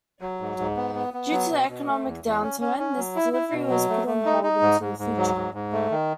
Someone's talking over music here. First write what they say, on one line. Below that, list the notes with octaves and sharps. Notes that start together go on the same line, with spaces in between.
Due to the economic downturn this delivery was put on hold until the future.
F#3
G#2
G#2
B3
B3
B3
F#3
B2
B2
A3
E2
E2
C#4
C#4
C#4
F#3
E4
E4
B2
F#3
A3
A3
D#4
D#4
G#2
G#2
G#2
F#3
G#2
G#2
A3
D#3